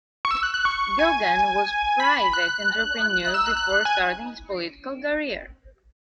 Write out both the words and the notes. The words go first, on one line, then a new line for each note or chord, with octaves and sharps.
Gogan was a private entrepreneur before starting his political career.
C#6
E6
F#6
F#6
C#6
G#5
B5
F#6
F#6
E6
F#6
F#6
G#5